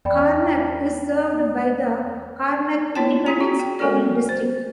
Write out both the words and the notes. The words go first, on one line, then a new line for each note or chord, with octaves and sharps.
Karnack is served by the Karnack Independent School District.
E2 D5 G5 B5
E4 F4 C#5 G5 A5
E4 G#4 A#5
F#4
G5
G#3 B3 F#4 A4 A#4 D5
C5